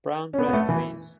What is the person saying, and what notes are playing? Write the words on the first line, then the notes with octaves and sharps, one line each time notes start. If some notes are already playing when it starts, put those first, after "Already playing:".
Brown bread, please.
C#4
B3
B3
A3
E3